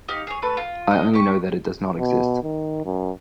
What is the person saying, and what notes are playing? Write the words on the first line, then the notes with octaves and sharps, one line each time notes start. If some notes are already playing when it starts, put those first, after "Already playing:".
I only know that it does not exist.
D#4 G4 F5
G#4 C#5
A3 A4 B4
F4
D#5
G4 C#6
B2
D#3
F#2